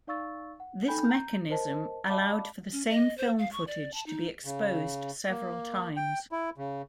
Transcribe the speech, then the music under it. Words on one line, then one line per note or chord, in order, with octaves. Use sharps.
This mechanism allowed for the same film footage to be exposed several times.
D#4 D5 F5 C#6 E6 A6
F#5
D#4 A4 G5 G#5 B5 G6
A#5 G6
A#4 C5 D#5 A5
D5 D#5 F5 A5 B5 D6
C#4
D#5
C5
F5
C#6
D5
A5
D#4
C#3
A#3
G5
E4
C#3